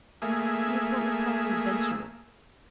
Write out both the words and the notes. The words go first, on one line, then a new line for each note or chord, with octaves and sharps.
He is what we call an adventurer.
A3 A#3 G#4 E5